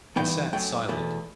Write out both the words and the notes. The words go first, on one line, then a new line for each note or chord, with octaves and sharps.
I sat silent.
G2 E3 B3 D#4 G5
F#2 F#3 A3 G5
E2 B2 A3